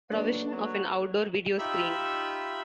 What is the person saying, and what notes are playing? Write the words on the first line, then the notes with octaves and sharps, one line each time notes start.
Provision of an outdoor video screen.
F#3 A#3 D4 A4 B4
F#3
D#4 F4 G4 E5 B5 E6